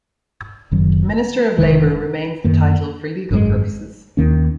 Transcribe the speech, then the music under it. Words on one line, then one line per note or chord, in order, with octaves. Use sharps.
"Minister of Labour" remains the title for legal purposes.
F#1 F#2 D#3 F#3
F1 D#2 D#3 G#3
F#2 D#3 A#3
G#1 F#2 D#3 G#3
D#2 D#3 A#3 C#4